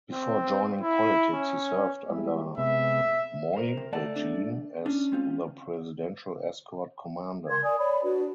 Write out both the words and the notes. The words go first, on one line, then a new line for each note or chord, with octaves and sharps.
Before joining politics he served under Moi regime as the Presidential Escort Commander.
C4
E4
C#4
G3 G#3 E4
C3 G#3 B3 E5
A#4 C5
C3
C#2 A3 D5 F#5 A5
D4
C#4 D4
G#3 C4 F4
A#4 C6 G#6
A#4 D5 G#5 D#6
C#5 D5 B5
D4 F#4 B4 D5